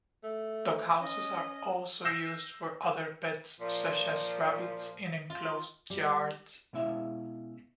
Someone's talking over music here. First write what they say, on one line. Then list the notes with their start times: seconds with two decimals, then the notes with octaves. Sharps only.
Doghouses are also used for other pets, such as rabbits in enclosed yards.
0.23 A3
1.00 C#4 D#5
2.05 E6 G6 A#6 C7 E7
3.61 A#2 F3
5.30 F4
5.90 G3
6.73 B2 G#3 C#4 E4 E5 F5